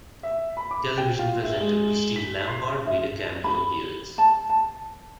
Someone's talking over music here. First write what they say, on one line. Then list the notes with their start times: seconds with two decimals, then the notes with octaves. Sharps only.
Television presenter Christine Lampard made a cameo appearance.
0.23 E5
0.57 B5
0.71 D6
0.98 G5
1.19 F4
1.43 E5
1.60 G#3
2.16 B6
2.48 C6
2.87 E5
3.44 B5
4.18 A5
4.49 A5